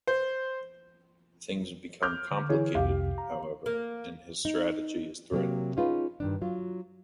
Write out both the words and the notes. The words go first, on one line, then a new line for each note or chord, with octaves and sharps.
Things become complicated, however, and his strategy is threatened.
C5
D6 F6 G6
D3
E3 G#4 C#5
C2 F2 C3 G4 F5
A#5
A#3
D#4
C3 F#3 A#3 G4
C#4 D#4 F4 G#4 B4
G2 D#3 D4
F#3 F4